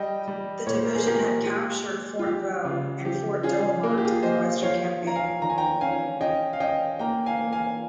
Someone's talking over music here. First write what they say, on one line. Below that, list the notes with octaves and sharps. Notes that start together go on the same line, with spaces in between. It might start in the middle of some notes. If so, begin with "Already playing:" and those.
The division had captured Fort Vaux and Fort Douaumont in the Western Campaign.
Already playing: G3 D#5 G5
G3
A#2 C#5
C5
A#4
G#4 C5
A#2 G4 A#4
G#3 G4
G#3
F4
G#3 G4
C#3 F4
F3 G4
C#4 F4 G#4
A#3 A#4
G#4
G4
F4 G#4
A#3 C5 D#5
F3 C#5 F5
F3 A#5
F5 G#5
D#3 A#5
G#5
G5 A#5
C#4 F5 G#5
C#4 D#5 G5
F5
C#4 D#5 G5
A#3 G5 A#5
F5 G#5
A#3
F5 G#5